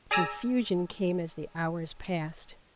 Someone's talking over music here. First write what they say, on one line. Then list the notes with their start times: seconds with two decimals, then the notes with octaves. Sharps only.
Confusion came as the hours passed.
0.11 G#4 D5 G#5 A#5 D#6 E6